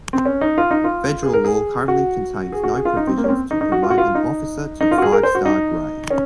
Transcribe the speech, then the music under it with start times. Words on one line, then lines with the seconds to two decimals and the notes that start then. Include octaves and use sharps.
Federal law currently contains no provisions to promote an officer to five-star grade.
0.13 C4
0.25 C#4
0.41 D#4
0.58 F4
0.71 D#4
0.84 F4
1.23 G#4
1.33 A#4
1.44 G#4
1.88 F#4
2.52 G#4
2.64 F#4
2.74 G#4
2.85 F4
2.97 D#4
3.07 C4
3.17 A#3
3.24 C#4
3.29 C4
3.51 D#4
3.61 D#4
3.72 F#4
3.83 F4
3.90 F#4
3.98 F4
4.15 D#4
4.81 D#4
4.91 F4
4.98 F#4
5.02 G#4
5.12 A#4
5.23 C5
5.35 F#4
5.45 D#4
6.10 C#4